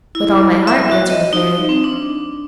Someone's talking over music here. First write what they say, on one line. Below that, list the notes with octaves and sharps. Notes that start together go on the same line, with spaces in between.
"With all my heart," answered the Fairy.
E4
E5
F#4
D#5
D#4
C4
D4